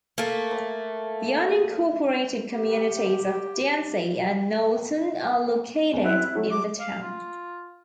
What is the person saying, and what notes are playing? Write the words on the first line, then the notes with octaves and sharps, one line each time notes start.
The unincorporated communities of Dancy and Knowlton are located in the town.
A3 A#3
G4
E2 D4
C4 E4 F#6
F#3 A3
D6
F5
F4